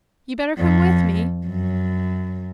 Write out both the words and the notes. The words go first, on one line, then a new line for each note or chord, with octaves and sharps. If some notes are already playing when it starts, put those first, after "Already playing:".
You'd better come with me.
F2
F#2